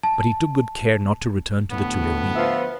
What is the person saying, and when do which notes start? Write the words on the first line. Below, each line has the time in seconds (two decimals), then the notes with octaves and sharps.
But he took good care not to return to the Tuileries.
0.03 A5
1.71 D2 A2 B3
2.36 F3 F4 B4 E5